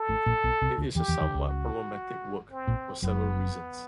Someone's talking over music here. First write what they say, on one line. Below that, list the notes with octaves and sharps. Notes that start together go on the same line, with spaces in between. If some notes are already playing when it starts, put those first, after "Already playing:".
It is a somewhat problematic work for several reasons.
Already playing: A4
A1 A2
A#1 A#2
B1 B2
C2 C3
D2 D3
E2 E3 G4
E2 E3
D#2 D#3
C#2 C#3
F#4
C4
A#1 A#2
F#1 F#2 B3